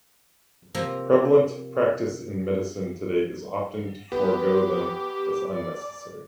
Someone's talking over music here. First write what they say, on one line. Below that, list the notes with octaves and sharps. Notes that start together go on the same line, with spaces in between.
Prevalent practice in medicine today is often to forego them as unnecessary.
C3 F3 A#3 E5 A#5
B3 G4 D6
D5